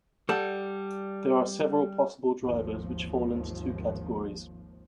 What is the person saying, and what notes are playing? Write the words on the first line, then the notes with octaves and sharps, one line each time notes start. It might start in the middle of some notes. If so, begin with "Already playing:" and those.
There are several possible drivers, which fall into two categories.
G3 A4 F#5
G#1 D#2 F3